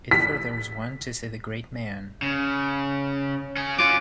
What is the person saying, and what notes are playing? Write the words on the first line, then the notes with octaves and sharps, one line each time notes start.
It furthers one to see the great man.
B6
C#3
C#4 G#4
F#3 C#4 F4 D6